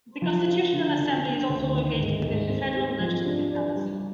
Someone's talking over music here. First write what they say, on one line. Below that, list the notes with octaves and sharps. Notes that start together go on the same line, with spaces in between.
The Constitutional Assembly is also located within the Federal Legislative Palace.
F3
F4
D3
D3
D4
D2
D#3
G#2
G#2
C4
G4
F3
D4
D5
G3